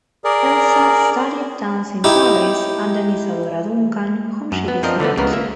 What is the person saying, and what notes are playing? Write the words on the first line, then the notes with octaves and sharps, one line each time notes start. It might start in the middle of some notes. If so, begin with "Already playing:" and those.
Elsa studied dance in Paris under Isadora Duncan, whom she disliked.
G#4 A#4 D5
D#4 E4 G4
F#2
B3
F3 C4 D4 A#4 D#5
D3 E3 A3 B3
C#2 C#3 B3 A#4
A#3 E5